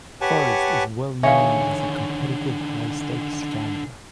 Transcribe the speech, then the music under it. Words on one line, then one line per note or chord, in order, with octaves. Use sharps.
Forrest is well known as a competitive high-stakes gambler.
G4 B4 C#5 F#5 G#5 A5
D3 D#3 G#4 C#5 E5 F5